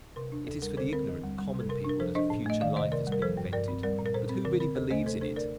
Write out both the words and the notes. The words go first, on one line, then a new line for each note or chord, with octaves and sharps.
It is for the ignorant, common people that a future life has been invented, but who really believes in it?
C3 A#4
D4
D2 A4
G3 A#4
D3 A4 C5
C4 A#4
D#2
G3
G3
C3
A4
C3 A#4
D4
A#4
F3 A4 C5
D4 C5 D#5
A2
A3 D#5
D#3 D5 F5
C3 C5 D#5
C3 A#4 D5
G3
A#4
F3 A4 C5
G2
G2 A#4 D5
C4
G3 A#4 D5
A#2
A#4
A#2 A4 C5
C4
D3 A#4
C4 A#4
D#2 A4 C5
A3 C5 D#5
C3 A4 C5
D4 A4 C5
A#4 D5